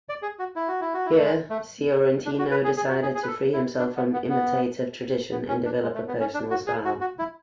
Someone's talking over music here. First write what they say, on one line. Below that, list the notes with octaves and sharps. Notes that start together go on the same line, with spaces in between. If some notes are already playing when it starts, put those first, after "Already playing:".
Here Sciortino decided to free himself from imitative tradition and develop a personal style.
D5
G#4
F#4
E4
F#4
E4
F#4
E4
A3
G#3
A3
D4
F#4
B4
G#4
G#4
F#4
G#4
G#4
B4
A4
E4
D4
B3
B3
B3
B3
C#4
D4
G#3
A3
B3
C#4
D4
F#4
G#4
F#4
F#4
E4